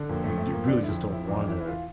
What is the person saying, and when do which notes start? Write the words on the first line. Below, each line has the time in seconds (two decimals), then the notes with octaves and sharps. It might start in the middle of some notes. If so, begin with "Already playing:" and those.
you d you really just don't wanna
Already playing: D3
0.09 F2 A#3
0.24 F2 A3
0.38 A3
0.49 F3 A#3
0.68 D3 D4
0.83 E4
0.88 F2
1.07 F2
1.12 E4
1.27 E2 D4
1.48 E3 E4
1.60 E4
1.68 F4